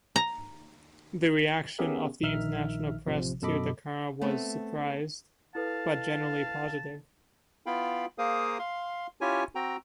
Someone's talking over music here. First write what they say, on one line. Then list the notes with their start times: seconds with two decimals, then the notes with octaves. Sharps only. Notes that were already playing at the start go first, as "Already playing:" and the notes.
The reaction of the international press to the car was surprised but generally positive.
0.16 A#5
1.79 B3 C#4 G4 G#4 A#4 E5
2.23 A#1 D#3 D#4 E5 F6
3.07 A1 C3 F3
3.42 F#2 B2 A4 D#5 B5 D6
4.21 A3 B3 C4
5.55 E4 A4 B4 F5 A5
7.66 B3 E4 F4 F5 G5 B5
8.18 A#3 G#4 A#4 C5 F5 D#6
8.59 F5 C6
9.21 C#4 E4 F4 G4 C#5 G#5
9.55 C4 F#4 G5 A#5